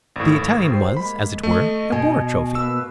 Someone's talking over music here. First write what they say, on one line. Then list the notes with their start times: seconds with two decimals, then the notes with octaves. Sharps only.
The Italian was, as it were, a war trophy.
0.16 G#1 A2
0.63 G4 C5
0.97 G#3 A#3 B5
1.43 A3 D#5
1.92 B2 G#5
2.55 A#3 B4 E6